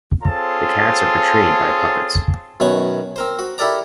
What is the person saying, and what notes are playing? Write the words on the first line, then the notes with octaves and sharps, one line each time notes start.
The cats are portrayed by puppets.
C4 F4 G#4 A4 C#5 A5
F#2 B2 D#3 C#5 F#5 C#6
C4 A#4 C5
F#4
E4 G4 A4 A#4 D5 A#5